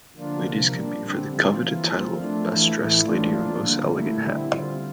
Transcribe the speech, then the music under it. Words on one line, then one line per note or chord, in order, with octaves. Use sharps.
Ladies compete for the coveted title of Best Dressed Lady or Most Elegant Hat.
D3 F3 A#3 D4 F4
C3 F3 A#3
A#2 G3 D4
D3 G3 C4
F3 C4 F4
E3 A#3 F4
F3 C4 F4
F3 A3 D4 F4
E3 A3 E4
A2 E3 A3 E4
E3 A3 D4 F4
A#2 F3 A#3 D4 F4
D3 G3 A#3
A#2 A3 E4
D3 G3 C4 E4
D3 G3 C4 F4